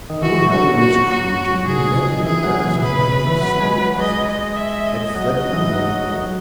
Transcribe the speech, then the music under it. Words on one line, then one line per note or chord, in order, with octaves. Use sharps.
WILL HALLEY and his crew, taking advantage of the darkness of night and the sleep of the passengers, had fled with the only boat.
D#3
E3 F#4
F#3 F#4
F#4
F#4
C#3 G#4
A#2
B2
C#3
D#3
E3 G#4
F#3
E3
B2
C#3 B4
B2
C#3
E3
F#3
G#3
F#3
G#3 D#5
D#5
E5
D#5
F#3
F#3
E3
F#3